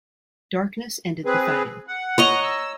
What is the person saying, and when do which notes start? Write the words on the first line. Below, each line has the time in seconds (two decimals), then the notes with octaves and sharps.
Darkness ended the fighting.
1.26 C4 G#4 B4
1.87 F#5
2.18 C#5 D#5 A#5
2.43 E6